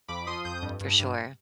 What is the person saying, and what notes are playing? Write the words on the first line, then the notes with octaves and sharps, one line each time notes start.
For sure.
F2 B5 D6
F3 C6 D#6
F2 D#6 G6
G2
G2
G2